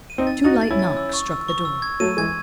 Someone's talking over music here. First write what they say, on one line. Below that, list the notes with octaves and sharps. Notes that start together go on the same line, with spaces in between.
Two light knocks struck the door.
D#7
C4 D#4
A6
D#4 F#4 A6
A6
C#4 E4
A6
E6
C#6
E6
C#6
E6
G#6
F#3 A3 D#7
E3 G#3 G#6